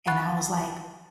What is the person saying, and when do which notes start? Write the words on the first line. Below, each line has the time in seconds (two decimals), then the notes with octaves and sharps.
And I was like,
0.07 F#5 B5 C#6 F#6 A6